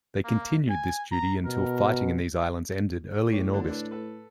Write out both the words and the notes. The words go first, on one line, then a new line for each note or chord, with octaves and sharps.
They continued this duty until fighting in these islands ended early in August.
A#3
G#5
A#5
B2 A#4
A2 G4 C#5
D3 F#3 D4
D4 A4 B4
A4 B4